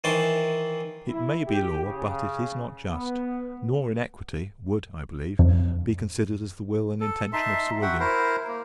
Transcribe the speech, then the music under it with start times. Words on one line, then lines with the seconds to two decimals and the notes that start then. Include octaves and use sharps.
It may be law, but it is not just; nor in equity would, I believe, be considered as the will and intention of Sir William.
0.04 D#3 E3 C5 A5
1.09 E4
1.48 G4
1.86 C#3
2.89 B3
5.39 F2
7.00 A4
7.33 D#4 E5 A5 C6
7.82 F#4 E5 F#5 G5
8.00 E4 A#4 C5
8.47 A#3